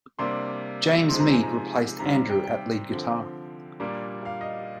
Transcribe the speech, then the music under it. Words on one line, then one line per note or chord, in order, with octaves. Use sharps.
James Mead replaced Andrew at lead guitar.
C3 G3 A#3 D4 C6
C3 F3 G#3 C4 D#4 C6
A#5
G#5
A#5
C3 D#3 G3 A#5
A#5
G5
G5
D3 F3 C4
A#2 G3 A#3 D4
F5
D#5